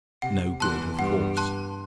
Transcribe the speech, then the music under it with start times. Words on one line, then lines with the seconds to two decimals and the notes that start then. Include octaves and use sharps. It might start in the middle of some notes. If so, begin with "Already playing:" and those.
No good, of course.
0.22 C3 F#5
0.60 E2 E3 A5 C6 F#6
0.99 G2 G3 F#5
1.37 A5 C6 F#6